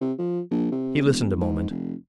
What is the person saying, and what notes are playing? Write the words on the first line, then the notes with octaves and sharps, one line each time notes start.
He listened a moment.
C3
F3
A#1
C3
E1
G#2
F1